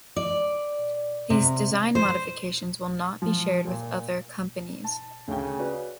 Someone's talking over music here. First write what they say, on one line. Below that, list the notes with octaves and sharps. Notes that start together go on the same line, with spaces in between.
These design modifications will not be shared with other companies.
D5
C3
C5
F3
A#2
A5
D2 C#3 G5
F#4 B4 D5